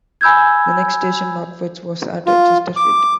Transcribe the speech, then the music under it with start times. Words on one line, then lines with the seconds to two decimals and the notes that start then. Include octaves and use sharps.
The next station northwards was at Chesterfield.
0.21 G#5 B5 E6 G6 G#6
2.26 F4
2.76 D6